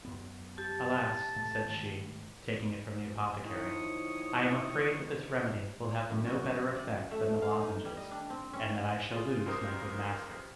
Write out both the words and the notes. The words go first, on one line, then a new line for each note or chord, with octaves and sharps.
"Alas!" said she, taking it from the apothecary, "I am afraid that this remedy will have no better effect than the lozenges; and that I shall lose my good master."
F#2 B3
G4 A5
A2 C3
G#2 D#3 A3
D#3 F3 E4 C#5 C#6 D#6
F#2
F#4
D#5
D5
A3
F5
D#4
G3
D#5
D4
C4
C#4
F4 G#4
C#2 F#2 G4 A#4 C5 D#6